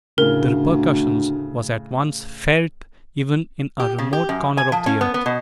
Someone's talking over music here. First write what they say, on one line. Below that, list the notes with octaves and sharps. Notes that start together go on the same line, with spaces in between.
The repercussion was at once felt even in our remote corner of the earth.
D2 A2 C#3 A#4
G4
C#3
G4
F#2
G#5
F3
C#4
B3
B3
B2